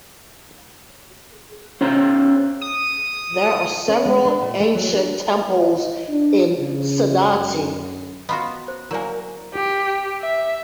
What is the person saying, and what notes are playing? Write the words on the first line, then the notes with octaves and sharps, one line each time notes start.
There are several ancient temples in Saudatti.
C#4 C5 A#5
D#6
C#4
G#3
D4
A#2
A3
F#3
D4
D#5
D4
C#3
F#2
B3 F4 F#4 D#5 A#5 B5
C5
F#3 A#3 E4 A#4 D5 G#5
G4
E5